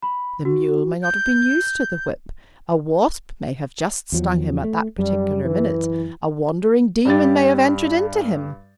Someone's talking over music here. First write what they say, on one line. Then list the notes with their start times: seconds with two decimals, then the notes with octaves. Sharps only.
The mule may not have been used to the whip; a wasp may have just stung him at that particular minute; a wandering demon may have entered into him.
0.02 B5
0.45 F#4
1.03 G6
4.12 E2 F3 F#3
4.64 A3
4.98 F#2 G3
5.44 E3
7.05 G2 G4 A6